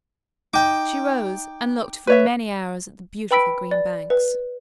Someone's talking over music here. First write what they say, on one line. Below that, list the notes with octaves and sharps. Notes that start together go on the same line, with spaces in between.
She rose, and looked for many hours at the beautiful green banks.
D#4 G5 D6
B4 C#5 E5
B4 G5 B5 E6 B6 D7
D5
B4